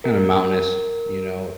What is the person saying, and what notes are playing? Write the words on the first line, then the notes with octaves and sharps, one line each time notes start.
kinda mountainous, you know.
A#4